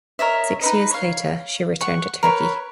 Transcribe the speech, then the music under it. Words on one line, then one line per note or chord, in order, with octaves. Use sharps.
Six years later she returned to Turkey.
A#4 C#5 D#5 E5
D#4 B4 D#5
C#5 F5
F#5 C#6
A#4 B4 C#5